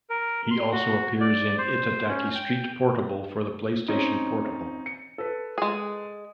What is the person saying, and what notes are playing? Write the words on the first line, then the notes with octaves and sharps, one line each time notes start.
He also appears in "Itadaki Street Portable" for the PlayStation Portable.
A#4
C6
F#4
D5
C5
C#4
G5
C4 C#4 D#4
C#7
A4 B4
G#3 G#4